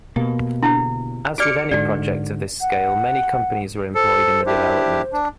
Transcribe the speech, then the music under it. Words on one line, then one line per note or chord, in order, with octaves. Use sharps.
As with any project of this scale, many companies were employed in the development.
B2 A#3 G4
D3 E4 G4
F#4 G4 D5 D6 F6 C#7
G#2 D3 F#4 D5
F#5
A4 C5
D4 E4 G4
D4